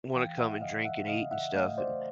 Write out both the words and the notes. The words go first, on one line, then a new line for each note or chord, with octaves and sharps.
wanna come and drink and eat and stuff. And,
E3 F5 G5
E5 F#5
C#3 D#5 F5
E5 F#5
C#3 D#5 F5
E5 F#5
A3 D#5 F5
C5 D5